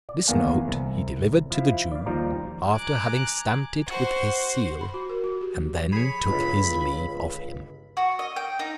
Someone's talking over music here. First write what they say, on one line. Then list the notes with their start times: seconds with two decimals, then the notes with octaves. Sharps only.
This note he delivered to the Jew, after having stamped it with his seal, and then took his leave of him.
0.09 D5
0.28 E2 D#3 A#3 B3 F5 G#5
0.68 C2
1.51 F3 E4 F5
1.92 D5 F5
2.06 D#2 F3 G3 D#4 D5 A#5
2.74 G#5 A#5 D6 F#6
3.86 F#4 C5
4.81 B5
4.94 F#4
5.10 A#4
5.24 F#4
5.41 G4
5.55 F3
5.93 G#4 C#5 B5
6.29 G1 C#2
7.97 F#4
8.19 D#5
8.36 G5
8.59 D#4